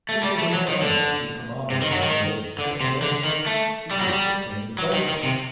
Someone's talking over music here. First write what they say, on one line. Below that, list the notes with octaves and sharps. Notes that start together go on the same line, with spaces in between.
It was in vain that he commanded the young lady to let go: she did but cling the closer.
A3
G3
A3
F#3
D#3
D3
C3
D#3
F#3
D#3
D3
C3
D3
D#3
A3
G3
F#3
G3
F#3
D#3
D#3
C3